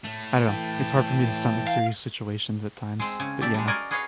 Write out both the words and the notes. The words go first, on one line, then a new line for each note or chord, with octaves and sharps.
I don't know. It's hard for me to stomach serious situations at times. But, yeah
A2 A3
E3 G5 A5
F5
G#3 C4
C#3
G4 A4 D5 E5
G3 G#3
F#4 A#4 D5 D#5 F5 G#5
G#4 B4 C#5 D#5 F5